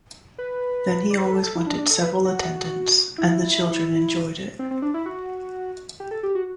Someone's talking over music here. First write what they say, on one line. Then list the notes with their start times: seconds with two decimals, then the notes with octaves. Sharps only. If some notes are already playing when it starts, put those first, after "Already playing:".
Then he always wanted several attendants, and the children enjoyed it.
0.38 B4
1.10 D5
1.18 C5
1.24 B4
1.31 A4
1.44 A4
1.56 E4
1.66 D4
1.78 D4
1.90 A4
2.02 B4
2.25 F#4
3.18 E4
4.59 C4
4.71 C4
4.82 D4
4.94 E4
5.06 F#4
6.00 G4
6.11 A4
6.23 G4
6.35 F#4